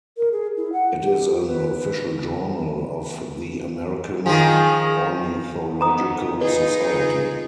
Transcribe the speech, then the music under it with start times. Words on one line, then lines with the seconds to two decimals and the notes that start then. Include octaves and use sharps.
It is an official journal of the American Ornithological Society.
0.17 A#4
0.32 G#4
0.57 E4
0.72 F#5
1.02 G4
1.18 G4
1.33 F4
1.47 B4
1.76 B4
4.26 D#3 F3 G#4
5.81 A#3 B3 D#4 A#5 D#6
6.41 D#4 F4 G#4 B4 D#5